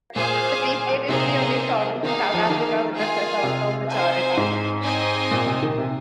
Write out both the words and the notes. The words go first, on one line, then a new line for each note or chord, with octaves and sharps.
The Free State is the only province in South Africa with a Sesotho majority.
A#2 G#4 C5 F5 G#5
C3 A#3 D#4 G#4 C5
D#3 A#3 D#4 G#4 F5
F3
D#3
F4 G#4 F5 G#5
C3
C4 D#4 C5 G#5
G#2
C4 D#4 C5 D#5 G#5
A#2
C3
D#3
C3